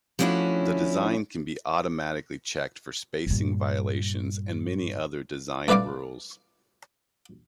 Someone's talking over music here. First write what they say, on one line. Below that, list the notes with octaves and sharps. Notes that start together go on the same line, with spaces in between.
The design can be automatically checked for spacing violations and many other design rules.
F3 A3 C#4 D4 E4 F#4
G2 A#2
A3 B4 D5 F5 D6